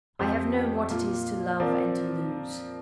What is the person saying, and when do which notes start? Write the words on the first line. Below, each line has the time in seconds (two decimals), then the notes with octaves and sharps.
I have known what it is to love and to lose.
0.19 F2 F3 C4 G4 C5
0.90 A#2 A#3 F4
1.59 F3 C4 A#4 D5